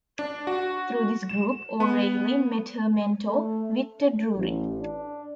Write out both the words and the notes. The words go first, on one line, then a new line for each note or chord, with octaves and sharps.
Through this group, O'Reilly met her mentor, Victor Drury.
D4
F#4
E7
B3
A3
A1
D4